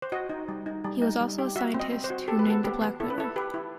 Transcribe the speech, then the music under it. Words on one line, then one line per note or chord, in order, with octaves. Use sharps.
He was also scientist who named the black widow.
C5
F#4 D#5
D#4
G3
D#4
G3
D#4
G3
G4
F#4 E5
C4
D#5
C4
C5
F#4
G4 A4
B4
B3 A4
B3 G4
B3
E4 A4
B4
E4 A4
G4 B4
E4